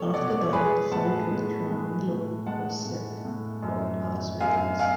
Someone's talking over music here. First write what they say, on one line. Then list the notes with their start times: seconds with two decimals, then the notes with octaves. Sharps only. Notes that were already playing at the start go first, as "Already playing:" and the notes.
After that, the fight with Romero was set for Las Vegas.
Already playing: B2 A3 A4 C#5
0.14 B2 D5 F#5
0.30 D5
0.41 C#5
0.53 G#3 G#4 B4
0.92 A2 F#5 A5
1.30 G#3
1.69 G#3
2.08 A2
2.46 G#3 F#5 A5
2.85 A2
3.25 A2
3.62 F#2
4.01 F#2
4.40 F#2 F5 G#5
4.79 F5 G#5